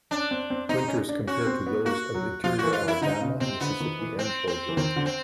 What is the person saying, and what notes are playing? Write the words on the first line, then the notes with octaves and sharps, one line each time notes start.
Winters compare to those of interior Alabama, Mississippi, and Georgia.
C#4 D4
C4
C4
C4 D#4
C#4
D4
C#4 F#4
C4
B3
A#3 F#4
F#3
F3 F4
E3 F#4
F4
E3
E4
D3 D#4
C#3
C3 C4
D3 B3
D#3
E3
C4
C4
E3
D#3 C4
D3
C4